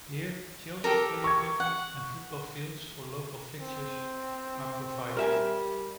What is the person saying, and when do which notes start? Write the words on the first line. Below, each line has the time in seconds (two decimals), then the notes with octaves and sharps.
Here children's play equipment and football fields for local fixtures are provided.
0.84 G4 A4 A#4
1.24 C#6 G#6
1.60 F#5
3.59 C4
5.17 G3 A#4 E5 G#5